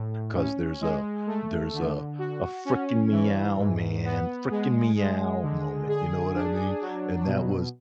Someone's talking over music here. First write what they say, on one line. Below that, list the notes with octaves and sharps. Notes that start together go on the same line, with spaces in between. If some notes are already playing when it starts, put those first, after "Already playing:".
'cause there's a there's a a "freaking meow, man freaking meow" moment, you know what I mean? And that was
Already playing: A2
C#4
G#3
A3
D3
F#4
C#4
E3
G#2
B3
G#3
G#3
D3
G#4
D4
F#3
B2